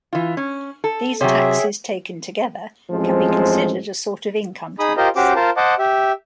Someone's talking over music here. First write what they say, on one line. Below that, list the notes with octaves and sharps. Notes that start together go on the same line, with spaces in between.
These taxes taken together can be considered a sort of income tax.
E3 F4
C#4
A4
C3 F#3 G#4 C#5 E5 F#5 G5
A1 F3 G#3 C4
D#4 G#4 B5 D#6
F4 G4 A#4 C5 D#5
C#4 F#4 G4 C5 D6
F4 A#4 C5 A5
C5 D#5 F#5 A5 D6
G4 E5